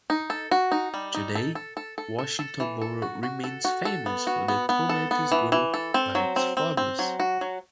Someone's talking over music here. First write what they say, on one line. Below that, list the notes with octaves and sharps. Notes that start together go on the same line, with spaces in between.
Today, Washington Boro remains famous for the tomatoes grown by its farmers.
D#4
A4
F#4
D#4
G3
D#4
A4
A4
A4
A4
A4
A4
E3
A4
F#4
F#4
A4
F#4
A4
B3
F#4
B3
B3
A4
B3
E3
E3
A4
C4
F#3
C4
C4
C4
F#3
F#4
F#3